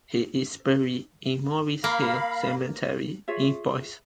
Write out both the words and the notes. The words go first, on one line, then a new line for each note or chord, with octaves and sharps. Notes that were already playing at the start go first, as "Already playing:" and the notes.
He is buried in Morris Hill Cemetery in Boise.
A#3 F5 B5
F4 G#4 C#5 E5